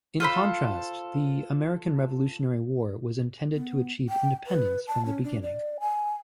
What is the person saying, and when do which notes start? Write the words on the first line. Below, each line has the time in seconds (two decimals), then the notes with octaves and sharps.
In contrast, the American Revolutionary War was intended to achieve independence from the beginning.
0.20 F4 A4 C5 B5
3.54 B3
4.09 G5
4.46 B4
4.88 A5
5.05 C#4
5.23 D4
5.42 D5
5.80 G#5